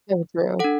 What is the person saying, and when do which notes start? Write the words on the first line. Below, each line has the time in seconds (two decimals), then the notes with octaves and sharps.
So true.
0.59 D4 A4 F#5